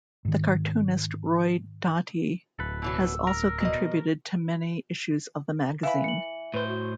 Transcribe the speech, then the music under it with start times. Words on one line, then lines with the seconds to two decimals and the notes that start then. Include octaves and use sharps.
The cartoonist Roy Doty has also contributed to many issues of the magazine.
0.25 G#2 D#3
2.59 D1 A4 B4
2.82 B2 E3 F#3 E6
3.27 A#4 A#5
3.60 B2 D#5
5.83 E3 E5 F5 B5
6.04 C#7 F#7
6.54 A2 B4 C5
6.68 F#4